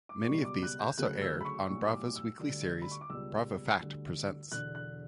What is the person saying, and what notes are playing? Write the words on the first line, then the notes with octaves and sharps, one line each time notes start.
Many of these also aired on Bravo's weekly series "Bravo!Fact Presents".
D6
C#2 B2 G3 C#6
D6
F#6
G6
D2 C#3 F#3 A3 F#6
E6
B5
C#6
B1 A2 G3 C#6
D6
E6
D2 D3 G3
B5
C#6
D6
C#2 B2 G3 E6
D2 D3 G3
E1 E2 D3 F#6
F#6